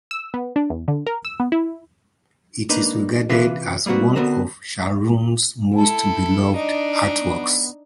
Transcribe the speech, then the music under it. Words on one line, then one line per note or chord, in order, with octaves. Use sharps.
It is regarded as one of Scharoun's most beloved artworks.
E6
B3
D4
E2
D3
A#4
E6
B3
E4
A#3 D4 D#4 B4
C3 E3 F4 B4 E5 F5
G3 A#3 C4 F#4 B4
D3 B3 C4 F#4 A#4 C5
E4 A4 A5
D4 D#4 D#5
B3